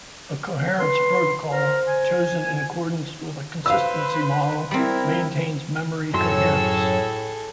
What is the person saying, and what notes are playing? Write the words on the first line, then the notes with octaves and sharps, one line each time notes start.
A coherence protocol, chosen in accordance with a consistency model, maintains memory coherence.
B4 C6
A#4 C5
G#5
B4 C5 F5 E6
G3 C4 E4 A#4
F#2 A2 F#3 G#4 A4 C#5 C6 E6